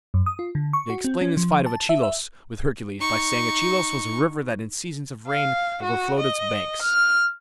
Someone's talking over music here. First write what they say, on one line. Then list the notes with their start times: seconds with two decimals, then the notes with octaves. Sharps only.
They explain this fight of Achelous with Hercules by saying Achelous was a river that in seasons of rain overflowed its banks.
0.14 F#2
0.26 D#6
0.39 F4
0.55 D3
0.73 C#6
0.90 F#4
1.04 C4
1.21 C#4
1.37 F3
1.66 A5
1.89 E5
2.03 E5
3.00 D#4 C#6
5.28 F5
5.83 F#4
6.20 D#5
6.82 F6